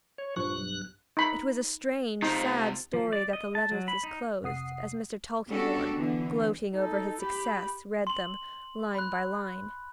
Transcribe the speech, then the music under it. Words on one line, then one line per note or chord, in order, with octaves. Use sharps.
It was a strange, sad story that the letters disclosed, as Mr. Tulkinghorn, gloating over his success, read them, line by line.
C#5
A#1 G2 F3 C#6 F#6
B1
D#4 B5
C3 F3 D#4
F3
D5
D#5
A5
F#3
B5
D#4
F2 C3 F#5 D#6 C7
B3 C#4 D4 F#4 G4 A4
D3 E3 B3
D#4 A4
G4 B5
C6 F#7
B5 F#6